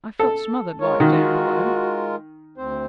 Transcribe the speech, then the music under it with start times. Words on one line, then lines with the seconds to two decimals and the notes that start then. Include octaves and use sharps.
I felt smothered like down below.
0.19 A4
0.81 G#3 F4 A#4 C#5
1.00 D#3 F#4
2.58 D2 C4 C5